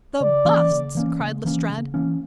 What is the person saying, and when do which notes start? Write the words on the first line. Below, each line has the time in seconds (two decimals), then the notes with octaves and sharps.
"The busts," cried Lestrade.
0.20 C#3 D5
0.45 E3 A#3 C#4
0.70 C#3
0.95 E3 A#3 C#4
1.20 C#3
1.45 E3 A#3 C#4
1.70 C#3
1.94 E3 A#3 C#4